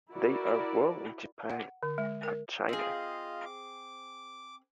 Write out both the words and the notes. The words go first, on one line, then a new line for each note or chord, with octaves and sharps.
They are grown in Japan and China.
E4 F#4 A#4 D5
F#5
D3
G#3
A#4
C4 F4 G#4 D#5 F5
D6